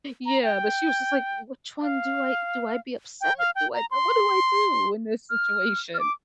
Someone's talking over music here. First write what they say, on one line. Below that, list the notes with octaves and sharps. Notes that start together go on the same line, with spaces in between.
Yeah, but she was just like, "Which one do I do I be upset? Do I what do I do in this situation?"
A#5
G5
F5
G5
F5
G5
A#5
C6
F6
F6
D6